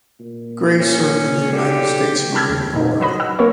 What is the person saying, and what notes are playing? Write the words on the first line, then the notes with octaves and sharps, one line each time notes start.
Gray served in the United States Marine Corps.
A#2
C#4
B1 D3 G4
A5 B5 E6 F6 G6 G#6
D#2
F2 A#2 D#4
F#3 B4 D#5 B5
F#5 E6
A#3 A#4 C#5